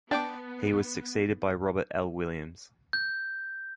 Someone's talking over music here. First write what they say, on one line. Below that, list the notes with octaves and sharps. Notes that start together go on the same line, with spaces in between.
He was succeeded by Robert L. Williams.
B3 D4 G5 A5 D6
G6